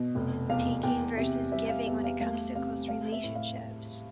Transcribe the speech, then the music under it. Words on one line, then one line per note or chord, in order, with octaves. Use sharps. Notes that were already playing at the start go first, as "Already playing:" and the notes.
taking versus giving when it comes to close relationships?
Already playing: B2
F1
E2 F5
E2 G5
C3 E5
G3 E5
F5
E2 E5
F5
A3 F5
C3 F5
A3 F5
E5
A2
F5